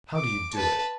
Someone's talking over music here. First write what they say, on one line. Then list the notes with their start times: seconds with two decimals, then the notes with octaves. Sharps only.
How do you do it?
0.16 D6
0.55 B4 A5